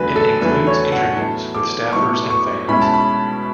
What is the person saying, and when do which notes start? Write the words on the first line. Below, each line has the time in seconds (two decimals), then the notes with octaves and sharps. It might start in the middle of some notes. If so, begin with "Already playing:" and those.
It includes interviews with staffers and fans.
Already playing: E2 D3 F#3 A3 B4
0.16 A4
0.41 E2 D3 F#3 A3 B4
0.67 C#5
0.92 F#5
1.16 A2 F#3 B3 A5
1.55 D6
1.93 A2 F#3 B3 C#6
2.30 C#6
2.68 B2 G#3 C#4 E4 B5
2.82 A5
2.94 B5